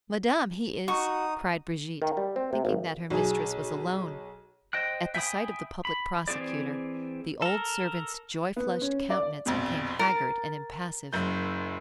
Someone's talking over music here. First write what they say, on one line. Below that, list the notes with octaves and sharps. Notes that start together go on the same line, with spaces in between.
"Madame, he is--" cried Brigitte, thinking that her mistress was alone. At the sight of the public prosecutor, the old servant's joy-flushed countenance became haggard and impassive.
D#4 F#4 C#6 D#6
D#3
G3
C4
C3
G#1
B1 G#4
C5 D#5 G5 F#6
E5 G5 G#5 B5 D#6
B5
E3 C4 F#4 G#4 D5
A4 A#4
B3
C#4
D5
A#1 F2 B2
A#4 A6
F#1 F#2 G6